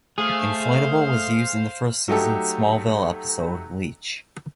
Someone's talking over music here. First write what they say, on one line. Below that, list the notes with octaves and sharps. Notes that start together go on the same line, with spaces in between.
"Inflatable" was used in the first season "Smallville" episode "Leech".
A3 G#4 C5 F5
F#3 A3 D#4 G4 A4